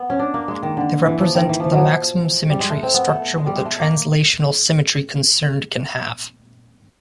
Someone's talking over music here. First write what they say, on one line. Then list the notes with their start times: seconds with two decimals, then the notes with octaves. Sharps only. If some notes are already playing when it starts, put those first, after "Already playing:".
They represent the maximum symmetry a structure with the translational symmetry concerned can have.
Already playing: B3
0.10 C#4
0.19 D4
0.34 A#3
0.48 G#3
0.63 D#3
0.77 D3
1.06 E3
1.20 F3
1.35 D#3
1.49 E3
1.60 E3 F3
1.73 F3 F#3
2.50 G3
2.60 G#3
2.70 A3
2.83 C4
2.94 B3
3.09 A3
3.38 G#3
3.46 G3
3.56 G#3
3.65 A3
3.80 A#3